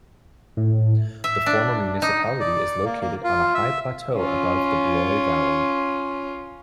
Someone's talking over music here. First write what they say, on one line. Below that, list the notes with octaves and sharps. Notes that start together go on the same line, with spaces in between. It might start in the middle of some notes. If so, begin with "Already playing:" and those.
The former municipality is located on a high plateau above the Broye valley.
A2
E5
D4
D#4
D5
A#3
A#3
F4
E5
C#4 F4